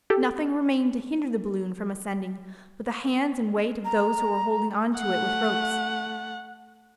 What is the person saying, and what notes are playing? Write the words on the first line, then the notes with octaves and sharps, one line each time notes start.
Nothing remained to hinder the balloon from ascending but the hands and weight of those who were holding on to it with ropes.
G4 A4
A#5
A3 F#5